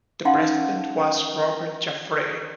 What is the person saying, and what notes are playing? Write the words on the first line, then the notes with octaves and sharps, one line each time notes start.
The president was Robert Jaffray.
C#4 D#4 F5 F#5 A5 C6